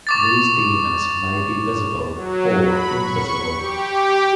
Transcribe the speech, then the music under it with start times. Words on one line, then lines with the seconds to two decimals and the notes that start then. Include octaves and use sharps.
These demons may be visible or invisible.
0.07 C#6 D6 A6
2.15 F#3
2.65 B5
2.98 C#6
3.56 G4